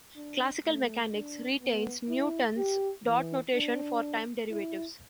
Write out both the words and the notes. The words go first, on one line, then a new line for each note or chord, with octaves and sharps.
Classical mechanics retains Newton's dot notation for time derivatives.
D4
A3
D4
B3
E4
G4
E3
D4
E4